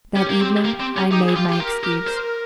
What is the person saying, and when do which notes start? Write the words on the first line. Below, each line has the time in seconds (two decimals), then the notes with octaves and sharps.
That evening I made my excuse.
0.16 C#4 G4
0.29 A#3
0.40 C4
0.65 A#3
0.80 C4
0.97 C#4
1.12 D#4 G4
1.23 G#4
1.36 F4 G4
1.48 F4 G4
1.60 G4 A#4
1.84 G4
2.07 C5